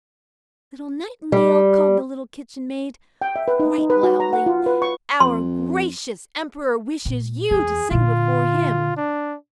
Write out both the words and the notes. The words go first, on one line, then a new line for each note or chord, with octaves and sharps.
"Little Nightingale!" called the little Kitchen-maid, quite loudly, "our gracious Emperor wishes you to sing before him."
G3
G5
E5
B4
D#4
D#4
B4
F#4
A#5
F#5
F4
B4
C#6
F2 C6
A#2
E2 G#4
A#2 D3 F4
D4